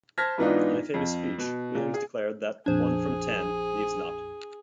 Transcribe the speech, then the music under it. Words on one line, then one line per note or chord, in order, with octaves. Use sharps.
In a famous speech, Williams declared that "one from ten leaves nought".
C5 A5 F6 G#6 A#6 B6
G#2 E3 B3 D4 D#4 F4
F2
B2
A#2
G#4
A#1 F2 D4 G#4 C5 G#6